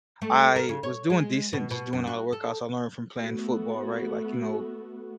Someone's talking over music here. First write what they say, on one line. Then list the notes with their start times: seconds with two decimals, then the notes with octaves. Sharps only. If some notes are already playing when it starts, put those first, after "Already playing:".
I was doing decent, just doing all the workouts I learned from playing football, right? Like, you know,
0.22 A3
0.56 A#4
0.69 C#3
0.83 C#5
1.10 G#3
1.53 B2
1.71 B2
1.93 F#2
2.07 F#4
2.33 A4
3.17 A3 B3 F#4